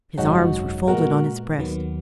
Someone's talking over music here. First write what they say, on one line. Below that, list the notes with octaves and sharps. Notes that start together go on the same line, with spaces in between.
His arms were folded on his breast.
G#1 F#2 C#3 G#3 C#4 D#4 F#4
A#2 G#3 B3 F#4 A#4
D#2 D#3 F#3 B3